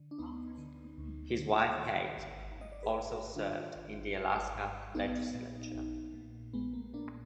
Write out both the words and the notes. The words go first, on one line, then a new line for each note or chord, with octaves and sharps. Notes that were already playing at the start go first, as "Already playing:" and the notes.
His wife Kate also served in the Alaska Legislature.
Already playing: D3
D4
D2 B3 D#4
D3
D2
D3
D#3
G#1
G#1 D#5
D5
G#4 B4
G#2
F#4 A#4
D#3 D4 F4
G#1
G#1
G#2
A#1 B3 D#4
A#2
A#1
A#2
A#1 G#3 B3
A#3
A#2 A#3 D4